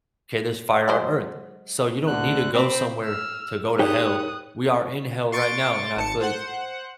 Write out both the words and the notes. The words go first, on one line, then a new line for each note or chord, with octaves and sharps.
'Kay, there's fire on earth, so, you don't need to go somewhere to go to hell. We are in hell right now and I feel like
F#3 G#3 C5
D2 D3 F#6
C4 B5
E6 F6
D#4 G4 G#4 A#4 C#5 G5 D#6 F#6
C6 C#6 A6 D7
G#1 A5 C#7
C5 F#5